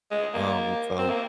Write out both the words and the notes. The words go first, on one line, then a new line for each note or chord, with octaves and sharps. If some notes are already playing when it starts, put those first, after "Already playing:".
Um, so
G#3
A#3
C4
A#3